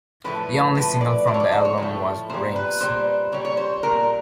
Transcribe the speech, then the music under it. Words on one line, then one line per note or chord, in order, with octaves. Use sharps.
The only single from the album was "Rings".
A2 F3 A3 B4
A2 F3 A3 B4
D5
A2 F3 A3 D5
C#5
D5
C5
C#5
A2 F3 A3
A#2 G3 C5
B4
A#2 G3 C5
A#2 G3 C#5
C#5
C5
A#2 G3 A#4